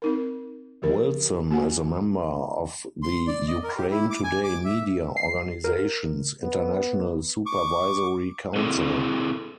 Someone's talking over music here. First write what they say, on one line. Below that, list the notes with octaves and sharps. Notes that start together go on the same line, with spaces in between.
Wilson is a member of the Ukraine Today media organization's International Supervisory Council.
C4 D#4 A#4
F3 G4 A#4
A#3 F#4 F#5 G#5
C6
D5
D#5
A#4
G4
E4
D6
G#5
D6
E5
C7
A#4
B3
C#6 D6
C4 E4 G#4 A4